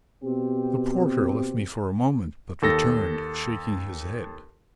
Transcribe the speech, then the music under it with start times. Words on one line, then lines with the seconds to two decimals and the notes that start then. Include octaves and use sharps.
The porter left me for a moment, but returned shaking his head.
0.24 B2 C4 G4
2.62 D#2 A4 A#6